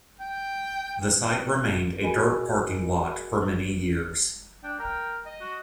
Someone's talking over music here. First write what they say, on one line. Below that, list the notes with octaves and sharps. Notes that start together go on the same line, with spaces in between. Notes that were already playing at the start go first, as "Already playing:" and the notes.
The site remained a dirt parking lot for many years.
G5
F#4 G#4 A#4 D#5 G#5 B5
D4 G5
A#4 G5
D#5
F#4